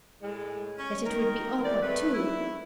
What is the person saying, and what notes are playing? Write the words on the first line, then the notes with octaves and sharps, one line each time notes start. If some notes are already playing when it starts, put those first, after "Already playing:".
Yet it would be awkward too.
A2 G#3
C#4
D#3 A#4
E2 D5
A3 B4
E4